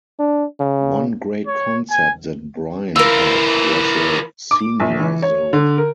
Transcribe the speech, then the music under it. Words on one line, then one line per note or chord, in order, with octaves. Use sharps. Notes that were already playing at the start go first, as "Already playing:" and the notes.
One great concept that Brian had was of the senior zone.
D4
C#3
C#5
G#5
E3 F4 A#4 E6
D6
A#1
E3
C#5
D3
A#4